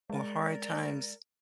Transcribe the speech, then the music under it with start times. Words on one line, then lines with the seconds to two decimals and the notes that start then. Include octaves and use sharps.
or hard times
0.10 G#3 A#4 D5